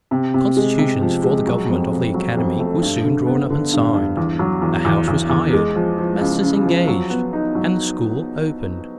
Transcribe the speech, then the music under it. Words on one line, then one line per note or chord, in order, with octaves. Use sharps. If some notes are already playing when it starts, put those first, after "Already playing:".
The constitutions for the government of the academy were soon drawn up and signed, a house was hired, masters engaged, and the school opened.
C3
C3
G#3
C3
F3
G#3
F#3
F2
F2
F#3
F2
A3
G2
D3
B3
D3
G2
G2
E2
F#3
E2
E2
E2
E2
G#3
F3
F3
C#2
C#3
F3
F#3
B3
D#4
F#3